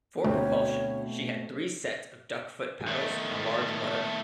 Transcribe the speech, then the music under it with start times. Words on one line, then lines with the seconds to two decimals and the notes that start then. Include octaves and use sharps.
For propulsion, she had three sets of duck-foot paddles and a large rudder.
0.24 D2 B2 A3 C4 C#5
2.87 D#3 A3